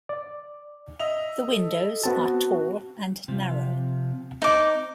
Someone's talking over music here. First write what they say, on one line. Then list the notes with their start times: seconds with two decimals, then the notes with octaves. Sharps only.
The windows are tall and narrow.
0.09 D5
1.00 D#5 E5 F7
1.49 A4
2.04 B3 C4 F#4 A5
3.28 C3 F3
4.42 C4 D#4 D6